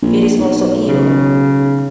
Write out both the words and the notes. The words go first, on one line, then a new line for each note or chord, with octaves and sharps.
It is also evil.
A#1
B1
C#3